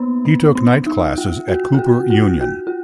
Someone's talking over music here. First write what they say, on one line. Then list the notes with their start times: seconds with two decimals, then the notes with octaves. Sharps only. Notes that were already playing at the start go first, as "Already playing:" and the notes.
He took night classes at Cooper Union.
Already playing: A#3 B3 D#4
0.25 A#3
0.55 B3
0.86 D#4
1.18 F4
1.48 F#4
1.74 F4
1.79 F#4
2.10 F4
2.41 F#4
2.67 F4